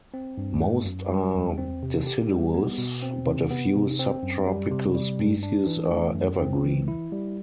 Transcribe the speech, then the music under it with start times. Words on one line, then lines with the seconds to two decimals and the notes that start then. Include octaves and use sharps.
Most are deciduous, but a few subtropical species are evergreen.
0.14 C4
0.38 G2
0.61 A3
0.85 F#2
1.10 G3
1.34 E2
1.58 C4
1.83 C3
2.07 G4
2.30 G3
2.54 B3
2.78 B2
3.03 C4
3.27 C3
3.50 B3
3.75 C3
3.99 C4
4.23 F#2
4.47 G3
4.71 C3
4.95 G3
5.19 G2
5.43 D4
5.67 E3
5.91 A3
6.15 F#2
6.39 C4
6.64 E3
6.88 E4
7.12 G3